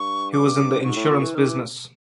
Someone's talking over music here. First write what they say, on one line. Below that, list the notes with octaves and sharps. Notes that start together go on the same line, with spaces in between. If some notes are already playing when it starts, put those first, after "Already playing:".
He was in the insurance business.
Already playing: G2 C#6
D6
G#2 C#6
A2
A#2
E3
D#3 D6 F6
E3